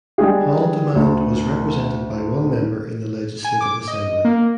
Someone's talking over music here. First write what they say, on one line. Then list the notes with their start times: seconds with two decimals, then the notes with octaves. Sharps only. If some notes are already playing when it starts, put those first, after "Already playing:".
Haldimand was represented by one member in the Legislative Assembly.
0.18 G3 G#3 D4 G#4
0.96 D2
3.45 G#5
3.61 D6
3.88 D#5
4.25 A#3